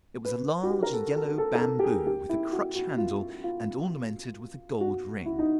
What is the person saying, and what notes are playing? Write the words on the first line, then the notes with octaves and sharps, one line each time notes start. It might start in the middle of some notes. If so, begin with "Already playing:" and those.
It was a large yellow bamboo with a crutch handle and ornamented with a gold ring.
B4
F#4
G4
A#4
A4
A4
A4
A#4
A4
G4
G#4
G4
E4
F#4
F#4
F4
F4
F#4
E4
D#4